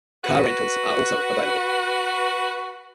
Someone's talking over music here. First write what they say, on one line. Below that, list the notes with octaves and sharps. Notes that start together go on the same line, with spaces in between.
Car rentals are also available.
F#4 B4